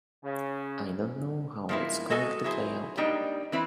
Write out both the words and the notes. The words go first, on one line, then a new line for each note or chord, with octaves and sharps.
I don't know how it's going to play out.
C#3
F3 G#3 A#3 B3 E4
G#3 F#4 A4 D#5 G#5
F#3 E4 G#4 C5
G3 A#3 D4 D#4 D#5 G5
E3 B3 C4 E4 B4